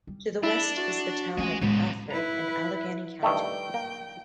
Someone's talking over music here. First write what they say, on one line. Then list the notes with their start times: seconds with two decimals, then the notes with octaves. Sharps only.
To the west is the Town of Alfred in Allegany County.
0.07 G3
0.43 D4 E4
0.77 F#4
1.37 G#3 A3 C#4 G#5
1.61 A2 C#3 G#3 B3
2.11 E4 B4 A#5
3.23 G2 D#3 A3 G5
3.74 A#3